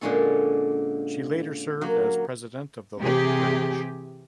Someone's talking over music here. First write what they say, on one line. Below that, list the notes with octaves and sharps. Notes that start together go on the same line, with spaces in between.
She later served as president of the local branch.
A#2 D3 G#3 C#4 A4
F#3 A#3
C3 E3 G4 G#4